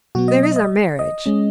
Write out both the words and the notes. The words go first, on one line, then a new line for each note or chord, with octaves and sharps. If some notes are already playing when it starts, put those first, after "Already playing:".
There is our marriage....'
B2 F#3 B3 F#4
D#5
D#5
D#5
D#5
G#3 C#4